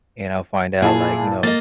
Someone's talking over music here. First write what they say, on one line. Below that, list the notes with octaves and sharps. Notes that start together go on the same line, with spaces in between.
and I'll find out, like, you know,
A#2 E4 G#4 A5
A#3 D#5 A6